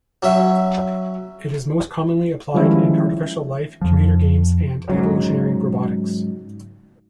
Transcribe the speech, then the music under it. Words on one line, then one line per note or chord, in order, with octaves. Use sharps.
It is most commonly applied in artificial life, computer games, and evolutionary robotics.
F#3 C#4 E5
D#3 F3 G3 G#3 C#4 E4
F2 F3
G#2 C#3 F#3